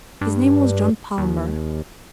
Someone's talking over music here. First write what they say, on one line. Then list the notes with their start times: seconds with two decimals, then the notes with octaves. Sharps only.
His name was John Palmer.
0.21 G2
1.18 D#2